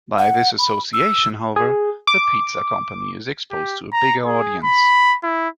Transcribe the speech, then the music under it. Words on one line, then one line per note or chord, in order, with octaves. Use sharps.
By this association, however, the pizza company is exposed to a bigger audience.
F#5
B5
E6
G#4
D6
G4
A#5
G#4
B5
E4